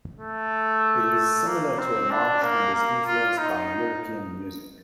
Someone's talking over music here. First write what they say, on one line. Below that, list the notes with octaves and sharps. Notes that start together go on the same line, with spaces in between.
It is similar to a march and is influenced by European music.
A3
A#3
C4
D4
A#3
A#3
F4
D#4